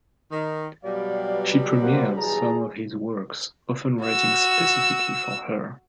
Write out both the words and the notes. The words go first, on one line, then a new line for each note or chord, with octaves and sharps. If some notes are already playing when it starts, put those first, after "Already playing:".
She premiered some of his works, often written specifically for her.
D#3
B2 F#3 G3 G4 D5 F5
B3
A#3 C5 F#5
E2 G#4 A5 A#5
F#4 E6